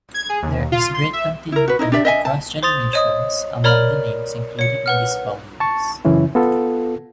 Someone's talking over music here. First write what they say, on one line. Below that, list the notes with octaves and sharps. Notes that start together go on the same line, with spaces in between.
There is great continuity across generations among the names included in these volumes.
G#6
G#4
D#2
F4
C6
E5
E4 A#4
F#4 B4
D#4 E4 C#5 D#5
D4 G4 D5 E5
D#5 E5 G#5
A5
C5 C6 D#6 A6 F7
C#5 D#5 D#6
A#4 C#5 D5 A#5 B5 F6
C#5 C#7
B4 F#5 F6
A5 C#6
F#2 C#3 E3 C#4 E4
B3 F4 A4